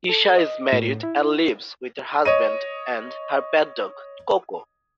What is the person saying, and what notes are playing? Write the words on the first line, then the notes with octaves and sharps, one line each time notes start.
Isha is married and lives with her husband and her pet dog Coco.
A4
D#5
A2
E4
C#5 D#5 D#7